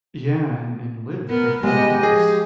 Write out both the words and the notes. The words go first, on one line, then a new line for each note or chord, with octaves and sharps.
Yeah, and and live their full lives.
B3 A#4
G#3 B3 G4 D#5
F3 G#4